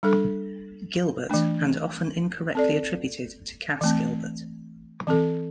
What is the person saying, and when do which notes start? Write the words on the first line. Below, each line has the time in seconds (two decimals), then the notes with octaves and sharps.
Gilbert, and often incorrectly attributed to Cass Gilbert.
0.03 G3 D4 A4
1.30 E3 A3 D4
2.55 C4 A4 D5
3.81 E3 A3 C4
5.07 E3 C4 A4